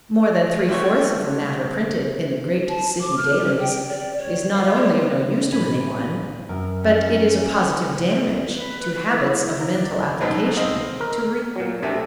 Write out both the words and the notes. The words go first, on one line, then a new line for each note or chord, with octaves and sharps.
More than three-fourths of the matter printed in the "great city dailies" is not only of no use to anyone, but it is a positive damage to habits of mental application to read it.
G3 A3 C4 F#4 C#5
A5
D6
F6
C#4
G5
D5
C#5
F5
C#5
B4
A1 G#5 B5
F#2 A#4
C#4
B4
E4
A#5
D5
D#2 B2 F#3
C4 D#5 F5
A#4
A#2 F#3
D2 C3 A3